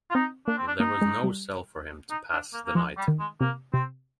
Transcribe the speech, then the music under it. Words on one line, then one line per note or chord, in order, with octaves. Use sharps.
There was no cell for him to pass the night in.
F4
C4 D#4
A#3 D4
C4
D4
A#3 D#4
G#3
G3
D#4
D4
A#3
A#3
F3 G#3
G3
D#3
G#3
C3 A#3
C3 C4